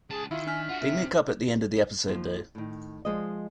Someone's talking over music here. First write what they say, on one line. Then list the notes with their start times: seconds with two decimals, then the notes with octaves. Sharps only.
They make up at the end of the episode though.
0.10 C#2 G#4 A5
0.31 D#3 E4 F4
0.47 D4 G#5 F6 B6
0.69 F4 F#4 F#5
0.81 C3 E5
2.08 D#2 F3 C5
2.55 A2 D#3
3.05 F3 G#3 C5 D#5